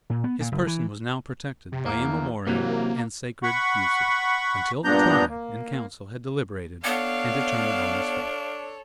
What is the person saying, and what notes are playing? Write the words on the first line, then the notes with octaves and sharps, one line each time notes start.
His person was now protected by immemorial and sacred usage, until the tribe in council had deliberated and determined on his fate.
A#2
B3
A#2
F#1
E3
C3
E2 A#3
C3 E3 F#3 A#3
F#5 B5 C#6
G2 A#2 B3 D4 A#5 G6
A#3
B3 D4 A4 C#5 F5